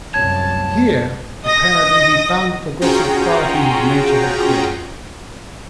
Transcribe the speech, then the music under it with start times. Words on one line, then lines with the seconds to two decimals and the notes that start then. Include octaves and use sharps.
Here, apparently, he found the progressive quality his nature had craved.
0.14 C2 F#2 A2 C#5 A5 G#6
1.44 D#5 D#6 A#6
2.82 C#4 F4 F#4 G#4 G5 A#5